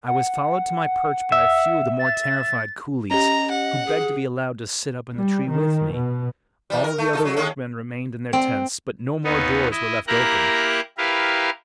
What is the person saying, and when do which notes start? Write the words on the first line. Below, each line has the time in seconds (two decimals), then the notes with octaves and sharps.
I was followed to my perch by a few of the more terrified coolies, who begged to be allowed to sit up in the tree with me; all the other workmen remained in their tents, but no more doors were left open.
0.08 F#5
1.32 E5
1.99 A6
3.11 C#4 G4 D#5 A#5
3.51 F#5
3.86 G#4
5.15 G3
5.53 D#3
5.93 B2
6.70 E2 G3
6.84 A#4
6.98 A3
7.13 D#4 F4 A4
7.25 F#3
7.36 D#2 G#3 C#4
8.33 C4
9.24 D#2 B3 D#4
9.71 E4 D#5
10.07 A#3 E4 G4 A#4 A#5 F#6
10.98 E4 G4 A#4 B4 F5